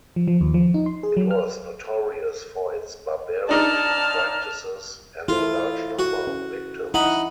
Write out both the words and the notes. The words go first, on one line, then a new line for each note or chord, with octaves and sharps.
It was "notorious for its barbaric practices and the large number of victims".
F3
F3
D#2
F3
D#4
C6
G#4
F#3
F6
D4 D#4 D5 A5 F6
E4 F4 A4 C5
F#4
C#4
D#4 E4 F#5 B5